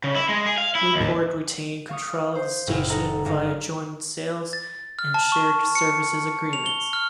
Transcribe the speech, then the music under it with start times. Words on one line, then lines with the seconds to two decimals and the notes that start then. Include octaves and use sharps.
Newport retained control of the station via joint sales and shared services agreements.
0.04 C#3
0.15 E4
0.29 G#3
0.46 G#4
0.58 F5
0.75 E4
0.95 D#2
1.89 F5 C#6 D#6
2.35 C5
2.67 F#1 A#2 E4 D#5 G#5 F6
2.90 D#4 A4 D#5 F#5 A#5
3.25 G1 G#3 D4 D#4 F5 A#5
4.53 A6
4.99 F6
5.14 A5
5.32 C#6
5.75 C#7
6.53 F7
6.66 G7
6.93 F6